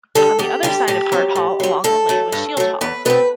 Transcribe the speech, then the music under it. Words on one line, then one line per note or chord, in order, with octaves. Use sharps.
On the other side of Hart Hall along the lane was Shield Hall.
D3 G3 A4
E2 G4
D3 G3 G4
A2 G4
F#3 C4
A2
F#3 C4
G2 A4
F#3 A3
G2
F#3 A3
E2 B4
B2 A3 C4 B4